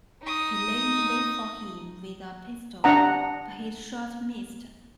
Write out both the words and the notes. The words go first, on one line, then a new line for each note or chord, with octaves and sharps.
He lay in wait for him with a pistol, but his shot missed.
D#4 D#6
D4 F#5 A#5